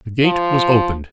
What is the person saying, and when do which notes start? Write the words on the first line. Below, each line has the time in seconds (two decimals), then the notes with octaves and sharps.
The gate was opened.
0.24 F3